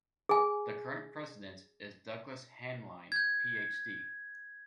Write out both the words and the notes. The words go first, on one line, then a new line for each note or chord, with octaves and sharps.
The current president is Douglas Haneline, PhD.
G#4 G#5
G6 G#6